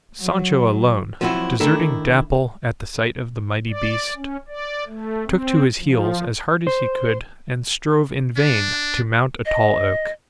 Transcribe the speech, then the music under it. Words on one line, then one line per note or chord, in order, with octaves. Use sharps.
Sancho alone, deserting Dapple at the sight of the mighty beast, took to his heels as hard as he could and strove in vain to mount a tall oak.
F#3
F3 F#3 C4 E4 F#4
D#3 A3 D4 E4 A4 A#4
D5
C#4
D5
A3
C4
F3
C5
D4
D#5